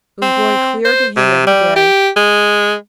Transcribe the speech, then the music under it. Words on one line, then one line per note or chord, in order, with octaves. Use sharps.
It was growing clearer to him every day.
C4
C5
C3
G3
G4
G#3